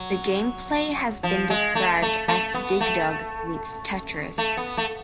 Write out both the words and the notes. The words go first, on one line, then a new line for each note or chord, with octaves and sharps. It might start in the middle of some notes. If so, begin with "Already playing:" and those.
The gameplay has been described as Dig Dug meets Tetris.
Already playing: F#3
F3
G#3
A3
A3
A3
B3
A3
A3
B3
A3